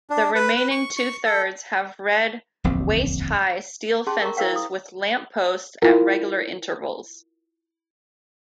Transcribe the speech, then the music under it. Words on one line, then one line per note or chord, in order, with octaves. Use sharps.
The remaining two-thirds have red, waist-high steel fences with lampposts at regular intervals.
D4
B4
B4
C#6
C#6
A4
D1 A#1 E2 C4
C#4 G#4 A5 C6
A#4 A#5 C#6
E4 A#4 C5 F5 G5
E4 D#6
E4 F4 A#4